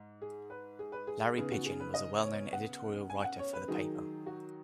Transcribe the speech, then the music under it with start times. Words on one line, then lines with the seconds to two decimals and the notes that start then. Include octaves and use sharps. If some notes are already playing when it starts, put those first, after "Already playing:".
Larry Pidgeon was a well-known editorial writer for the paper.
Already playing: G#2
0.22 G#4
0.50 B4
0.79 G#4
0.92 B4
1.07 G#4
1.37 C#3 B3 D#4 G#4
1.51 F#4
1.65 G#4
1.80 B4
1.94 D#5
2.23 C#5
2.53 F#5
3.10 G#5
3.24 F#5
3.39 C#5
3.53 B4
3.68 D#3 F#3 D#4 G#4
4.26 F#4